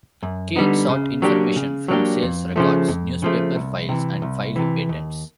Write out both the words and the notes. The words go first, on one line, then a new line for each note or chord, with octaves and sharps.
Kane sought information from sales records, newspaper files, and filed patents.
F#2
D3 G3 B3 D#4
C#3
F#3 A#3 D4 G4
C#3
F#3 A#3 D4 G4
F2
C#3 F3 A3
F2
C#3 F3 A3
C2
C3 E3
C2
C3 E3
D#2